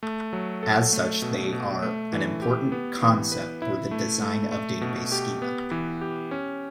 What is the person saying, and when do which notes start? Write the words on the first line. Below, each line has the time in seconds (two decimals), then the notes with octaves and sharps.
As such they are an important concept for the design of database schema.
0.03 A3
0.33 F#3
0.63 A4
0.93 A3
1.22 B2
1.52 B2
1.82 A3
2.13 E3
2.42 G4
2.72 B3
3.02 E3
3.32 B4
3.62 E4
3.91 A3
4.22 A3
4.52 A3
4.81 B2
5.12 G4
5.42 B3
5.71 E3
6.01 G4
6.31 C#4